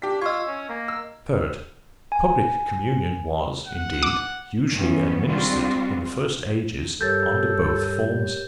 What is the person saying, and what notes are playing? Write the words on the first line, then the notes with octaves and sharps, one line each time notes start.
Third--Public Communion was, indeed, usually administered in the first ages under both forms.
D4 G4 B6
F4 D#5 C#6 E6 G#6
C#4
A#3
E6
G#5
F#5
D6
G2 E3 B3 C#4
G3 G#3 C4 D4 F4 F#4
G2 G4 A4 A#4 C#5 G6 A6